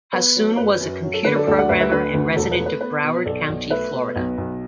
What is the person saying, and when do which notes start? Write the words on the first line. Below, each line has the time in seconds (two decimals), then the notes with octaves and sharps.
Hassoun was a computer programmer and resident of Broward County, Florida.
0.13 B3 B4
0.36 F#3
0.57 F#2 B4
0.81 F#2
1.03 F#3
1.14 A4
1.24 D3 B4
1.36 A4 D5
1.47 D2 A4 D5
1.58 D5 F#5
1.69 D2 B4 E5
1.80 B4 E5
1.91 D3 B4
2.14 D2
2.36 E1 A4
2.51 B4
2.59 A3
2.66 B4
2.81 B3 B4
3.04 B2
3.26 B1 A4 D5
3.49 B1
3.71 A3 B4 E5
3.93 B2
4.16 B1
4.38 B1